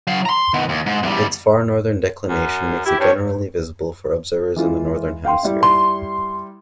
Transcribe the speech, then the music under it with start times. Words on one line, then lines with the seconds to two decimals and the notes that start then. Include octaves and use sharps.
Its far northern declination makes it generally visible for observers in the northern hemisphere.
0.07 F#3 F5
0.26 A#5 C6
0.54 D#3 B3
0.69 D#2
0.86 G#2
1.03 E2 G3
2.28 F#2
2.86 E4 G4
3.00 G2 C#5
4.56 E3 G#3 F4
5.24 F5 G5 C6
5.43 G3 E4
5.63 C6